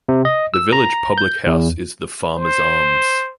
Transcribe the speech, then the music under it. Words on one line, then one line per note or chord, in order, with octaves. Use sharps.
The village public house is "The Farmer's Arms".
C3
D#5
E6
A#5
G6
E2
C5